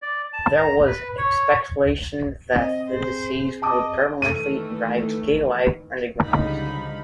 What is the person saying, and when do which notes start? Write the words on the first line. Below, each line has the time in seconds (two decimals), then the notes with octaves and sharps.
There was speculation that the disease would permanently drive gay life underground.
0.02 D5
0.33 A5
0.57 A#5
0.87 B4
1.18 C#5
2.54 C4 D#5
2.89 G#4 C5
3.62 D#5 A5 D6 D#6
4.22 D#3 E3 A3 D#7
6.24 C#2 D3 F3 G3 D#4 B5